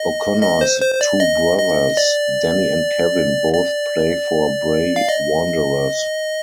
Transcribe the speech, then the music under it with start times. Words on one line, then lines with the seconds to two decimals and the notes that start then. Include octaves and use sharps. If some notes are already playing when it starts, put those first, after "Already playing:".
O'Connor's two brothers, Danny and Kevin both play for Bray Wanderers.
Already playing: D#5
0.42 D#5
0.61 C5
0.81 C5
0.95 C5
1.01 D5
1.20 D#5
1.59 D#5
1.97 D5
3.53 D5
4.96 F5
5.09 D#5